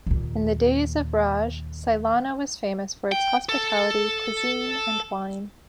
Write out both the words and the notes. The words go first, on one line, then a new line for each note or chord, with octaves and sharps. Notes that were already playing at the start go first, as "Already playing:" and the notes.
In the days of raj Sailana was famous for its Hospitality, Cuisine and Wine.
D#2 A#2
G5
A4